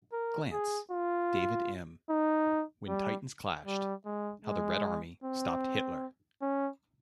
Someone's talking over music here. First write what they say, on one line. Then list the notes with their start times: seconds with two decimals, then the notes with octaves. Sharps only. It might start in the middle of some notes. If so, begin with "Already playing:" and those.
Glantz, David M. "When Titans Clashed: How the Red Army stopped Hitler".
0.13 A#4
0.52 G#4
0.91 F4
2.09 D#4
2.88 G3
3.66 G3
4.06 G#3
4.45 G#3
5.24 C4
6.42 C#4